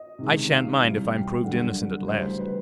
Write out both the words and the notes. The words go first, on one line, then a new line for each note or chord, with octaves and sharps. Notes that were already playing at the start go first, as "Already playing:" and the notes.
"I shan't mind if I'm proved innocent at last."
Already playing: D#5
C3 D#3 G#3 C#4
F5
C3 E3 G3
G5
F#2 D3 G3 F#5
F5
D2 C#3 E3 G3 C5
B4